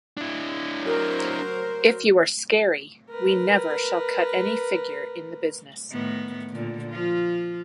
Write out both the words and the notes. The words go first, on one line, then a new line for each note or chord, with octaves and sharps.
If you are scary, we never shall cut any figure in the business.
D4 E4
F#3 A#4 C5
A#4 B4
A2 D#3 B3
A#2 D3
F3 F4